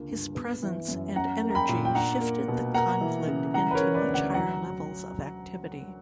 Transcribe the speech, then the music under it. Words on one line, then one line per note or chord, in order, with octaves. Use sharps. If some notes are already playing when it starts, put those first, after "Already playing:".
His presence and energy shifted the conflict into much higher levels of activity.
Already playing: C#2 D3 A#3
G2
B3
E3
F#2
C#4 F#5 A#5
A#3
A#5
G5 B5
A#2
G5
D4 F#5 A#5
A#3
B2
A#3 F#5 A#5
E3
C#3
E3 F#5 A#5
B4
A#4 C#5
C#3
B4 D5
D2
D5 F#5
F#3 F#5 A#5